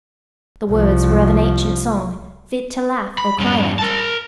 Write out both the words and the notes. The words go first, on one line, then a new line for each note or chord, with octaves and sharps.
The words were of an ancient song, fit to laugh or cry at.
C2 F3
B5
G2 C#4
A#4 A5